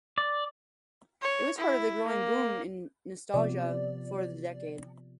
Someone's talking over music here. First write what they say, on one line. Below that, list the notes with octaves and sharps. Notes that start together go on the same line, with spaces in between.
It was part of the growing boom in nostalgia for the decade.
D5
C#5
E4
A#3
C3 F3 B3 D5